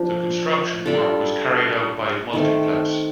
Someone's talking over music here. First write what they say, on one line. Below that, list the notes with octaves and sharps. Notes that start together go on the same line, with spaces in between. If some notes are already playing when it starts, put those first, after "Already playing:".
The construction work was carried out by Multiplex.
Already playing: F3 D4
G3 D4 F4 A4
D#3 A3 C4